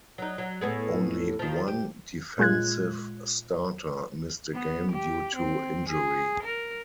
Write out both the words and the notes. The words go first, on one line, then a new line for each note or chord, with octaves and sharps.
Only one defensive starter missed a game due to injury.
F#3 D#4
F#3
A2 B3 G#4
D#3 F3
G4
A#2 G#3 F4 F#6 G#6
B3
G4
C4
G#4
A#4